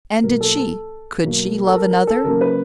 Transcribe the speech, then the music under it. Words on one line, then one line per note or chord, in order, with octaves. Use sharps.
And did she, could she love another?
B2 F#3 A#3 A#4
A4
A4
B2 F#3 A#3
A4
A#4
A#4
A4
C#3 F#3 A#3 A#4
B4